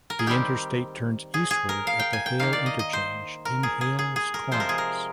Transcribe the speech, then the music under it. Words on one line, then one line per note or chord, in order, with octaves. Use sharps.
The Interstate turns eastward at the Hale Interchange in Hales Corners.
A#4
G#4
D#3 G3 C4 G4
G#4
G#4
A#4
F5
G5
G#5
G5
D#3 A#3 F5
D5
D#5
D#5
C5
A#4
G#4
G#4
G#4
G#4
A#4
C3 F3 G#3 C4 C5
A#4
G#4
A#4